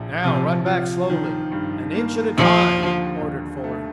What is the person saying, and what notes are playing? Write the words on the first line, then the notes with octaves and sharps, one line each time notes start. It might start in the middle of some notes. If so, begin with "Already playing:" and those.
"Now run back slowly--an inch at a time," ordered Fuller.
Already playing: A#1 A2
C3 F3
F4
D#3
G2
A#3
D#2 F3
D3
D#2
A3